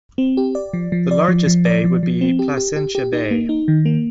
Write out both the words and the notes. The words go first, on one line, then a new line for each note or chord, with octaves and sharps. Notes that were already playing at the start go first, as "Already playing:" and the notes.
The largest bay would be Placentia Bay.
C4
G4
D5
F3
F3
D5
F3
F3
D5
F3
F3
C4
G4
G4
G4
G4
D#4
A#3
D#4
D#3
A#3